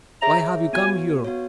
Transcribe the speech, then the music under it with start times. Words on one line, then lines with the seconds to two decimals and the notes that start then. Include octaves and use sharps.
Why have you come here?
0.21 G#4 C#5 E5 A#5
0.73 B3 F#4 C#5 G#5
1.25 B3 F#4 C#5